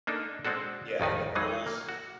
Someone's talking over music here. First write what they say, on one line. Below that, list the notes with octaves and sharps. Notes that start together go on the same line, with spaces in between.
yeah, and the pools
A#3 D4 D#4 A4
G#3 C4 D4 F#4 A4
A1 F2 D#3 D#4 B4
E3 F#3 G#3 D#4 G#4
A#3
F#4